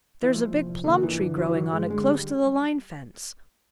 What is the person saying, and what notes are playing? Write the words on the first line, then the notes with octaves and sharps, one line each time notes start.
There's a big plum tree growing on it close to the line fence.
E3
A#2 F3
C2
C2
A#2 D3
D#3
G2 E3
D3
G1 F#3
E3
G1 F#3
G2 G#3
D3 G#3
G#1 G3